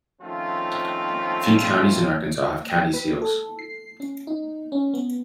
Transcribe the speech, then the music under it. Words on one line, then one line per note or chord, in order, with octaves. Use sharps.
Few counties in Arkansas have county seals.
D#3 F3 A3 C4 C#4 F4
G5
B4
A4
C7
C#4
D#4
C#4
B3